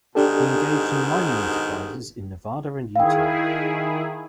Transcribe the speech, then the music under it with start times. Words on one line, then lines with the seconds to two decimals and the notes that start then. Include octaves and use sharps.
He engaged in mining enterprises in Nevada and Utah.
0.15 G#2 B2 D#3 D4 G4 A4
2.96 D#3 E4 G#4 F5 G5